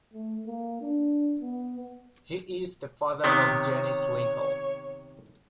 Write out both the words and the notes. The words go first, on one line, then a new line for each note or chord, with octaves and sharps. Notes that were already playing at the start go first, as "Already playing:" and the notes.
He is the father of Janice Lincoln.
A3
A#3
D4
B3
C3 D#3 B3 C#5